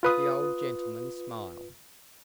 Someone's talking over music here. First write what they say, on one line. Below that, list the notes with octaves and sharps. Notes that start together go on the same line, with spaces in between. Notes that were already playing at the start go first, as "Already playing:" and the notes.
The old gentleman smiled.
F4 B4 D#6